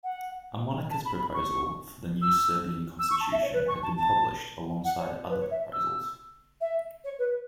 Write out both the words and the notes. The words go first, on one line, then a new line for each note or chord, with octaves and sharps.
A monarchist proposal for the new Serbian constitution has been published alongside other proposals.
F#5
A5
B5
B5
C#6
E6
E6
C#6
A5
E5
C#5
B4
C#6
A5
A5
F#5
C#5
B4
C#5
E5
E6
E5
C#5
B4